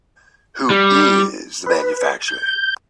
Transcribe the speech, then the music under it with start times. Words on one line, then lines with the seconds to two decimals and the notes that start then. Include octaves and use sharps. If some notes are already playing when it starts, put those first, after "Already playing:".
Who is the manufacturer?
0.70 G3
1.66 B4
2.28 G6